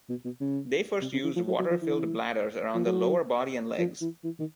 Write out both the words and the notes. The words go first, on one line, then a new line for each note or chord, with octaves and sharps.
They first used water-filled bladders around the lower body and legs.
B2
B2
C#3
C3
C#3
E3
F3
F#3
F#3
F3
E3
F3
F#3
F3
E3
E3
D#3